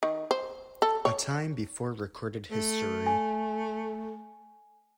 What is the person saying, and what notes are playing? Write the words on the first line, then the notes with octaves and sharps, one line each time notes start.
A time before recorded history.
D#3
C5
A4
C#5
A3
G#5